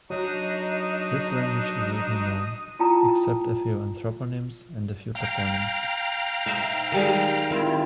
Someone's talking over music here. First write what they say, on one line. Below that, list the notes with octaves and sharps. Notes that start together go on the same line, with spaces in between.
This language is little known, except a few anthroponyms and a few toponyms.
F#3 D4 D#4 F#4 D#5 D#6
E4 F4 G5 A5 A#5 D#6
F5 G5 A#5
D#4 C5 E5
D#3 G3 G#3
D#3 C4 E4 F4